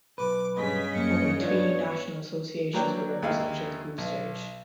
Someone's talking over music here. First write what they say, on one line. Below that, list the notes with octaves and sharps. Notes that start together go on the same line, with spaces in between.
Only three national associations were represented in the group stage.
B1 B4 D6
G2 C#3 G#4 D#5 B6
F#2 A#3 C#4 C#7
F3 B3 D4 F4 C#5
E3 F#3 A#3 D4 G5
D#2 G#3 A#3 D#4 E4 F5
B1